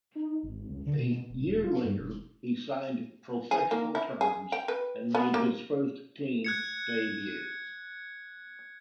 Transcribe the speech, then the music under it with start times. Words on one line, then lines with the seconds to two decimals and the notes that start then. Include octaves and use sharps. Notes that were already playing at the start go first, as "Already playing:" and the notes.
A year later, he signed professional terms and made his first team debut.
0.15 D#4
0.43 G#1
0.70 C#2
0.86 D3
0.98 B2
1.30 D#1
1.44 E1
1.64 F4
1.84 G2
1.99 E1
3.51 G#4
3.71 A#3
3.95 E4
4.21 G#4
4.52 G5
4.68 B4
5.15 B3
5.34 A#3
6.44 F#6 G#6 C#7